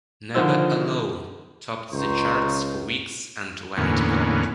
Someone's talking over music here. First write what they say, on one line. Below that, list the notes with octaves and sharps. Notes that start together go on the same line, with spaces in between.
"Never Alone" topped the charts for weeks and went gold.
D3 D#3 F3 C5 E6
C#2 D#4 C5 C#6
E2 A2 D3 A#3 B3 C#4